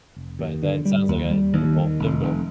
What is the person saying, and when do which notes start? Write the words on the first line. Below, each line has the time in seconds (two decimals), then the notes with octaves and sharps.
but that sounds like a difficult, difficult
0.16 F1
0.39 D#2
0.63 D3
0.85 G3
1.08 D#2
1.30 G3
1.53 D#2
1.77 D#3
1.99 F1
2.22 F1